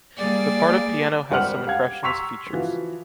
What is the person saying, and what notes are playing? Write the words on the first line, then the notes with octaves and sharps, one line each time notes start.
The part of piano has some impressionist features.
G3 A#3 G#4 D5
G#1 G3 C5 F#5 F6 F#7
G4 F5 F#5 G#6
A#5 C6 C#6 E6 B6 F7
E3 F3 F#4